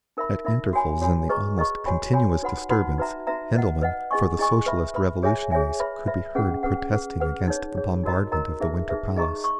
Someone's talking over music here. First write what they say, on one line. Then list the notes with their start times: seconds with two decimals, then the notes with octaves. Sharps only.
At intervals in the almost continuous disturbance Hendelman, for the Socialist Revolutionaries, could be heard protesting against the bombardment of the Winter Palace....
0.17 D#4 A#4 E5 B5
0.45 D#4 A#4 E5 B5
0.73 F#4 C#5 G#5 B5
1.02 F#4 C#5 G#5 B5
1.29 G#4 B4 D#5 A#5 C#6
1.58 G#4 B4 D#5 A#5 C#6
1.86 F#4 C#5 G#5 B5
2.14 F#4 C#5 G#5 B5
2.42 D#4 F#4 B4 F#5 B5
2.70 D#4 F#4 B4 F#5 B5
2.98 D#4 F#4 B4 E5 A#5
3.27 D#4 F#4 B4 E5 A#5
3.55 B4 D#5 F#5
3.82 B4 D#5 F#5
4.11 E4 G#4 D#5 G#5 C#6
4.39 E4 G#4 D#5 G#5 C#6
4.66 B4 E5 B5
4.95 B4 E5 B5
5.23 G#4 C#5 E5 G#5
5.51 G#4 C#5 E5 G#5
5.80 B4 E5 B5
6.07 B4 E5 B5
6.35 C#4 G#4 B4 F#5
6.63 C#4 G#4 B4 F#5
6.92 G#4 B4 F#5
7.20 G#4 B4 F#5
7.48 D#4 G#4 C#5
7.76 D#4 G#4 C#5
8.04 D#4 F#4 A#4 D#5 A#5
8.32 D#4 F#4 A#4 D#5 A#5
8.60 D#4 G#4 B4 E5
8.89 D#4 G#4 B4 E5
9.16 D#4 G#4 D#5 A#5 C#6
9.44 C#6